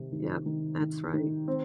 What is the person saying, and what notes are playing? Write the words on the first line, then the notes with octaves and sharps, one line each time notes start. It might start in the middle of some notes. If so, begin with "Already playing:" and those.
Yep, that's right.
Already playing: C3 D#3
D#3
D#3
D#3
D#3
C4